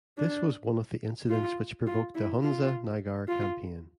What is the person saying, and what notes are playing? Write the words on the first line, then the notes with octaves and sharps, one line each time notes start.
This was one of the incidents which provoked the Hunza-Nagar Campaign.
D4
F4
F4
E4
F4
F4